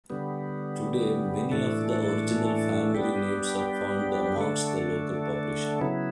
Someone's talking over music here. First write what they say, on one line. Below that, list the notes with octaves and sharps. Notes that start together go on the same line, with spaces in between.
Today many of the original family names are found amongst the local population.
D3 G3 B3
A2 E3 A3 D4 A4
G3 B3 D4 G4
D3 A3 D4 A4
C#3 F#3 B3 E4